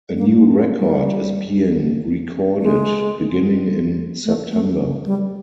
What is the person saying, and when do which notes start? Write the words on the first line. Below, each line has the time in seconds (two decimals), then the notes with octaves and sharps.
A new record is being recorded beginning in September.
0.17 A#3
0.37 G#3
0.57 G#3
0.77 G3
2.61 G#3
4.25 A3
4.51 A3
5.06 G3